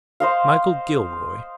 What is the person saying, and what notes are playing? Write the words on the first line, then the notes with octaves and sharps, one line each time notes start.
"Michael Gilroy?"
C5 D#5 F5